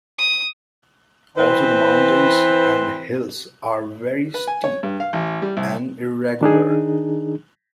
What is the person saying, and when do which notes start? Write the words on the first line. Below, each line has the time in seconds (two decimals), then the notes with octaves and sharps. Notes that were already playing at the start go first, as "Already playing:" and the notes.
Also the mountains and hills are very steep and irregular.
0.18 D#6
1.37 E3 C4 B4 C5
4.34 B4
4.47 G#5
4.64 C#5
4.83 G2
5.00 F5
5.13 A1
5.42 G3
5.57 C2
6.41 D#3 D4 D#4 G#4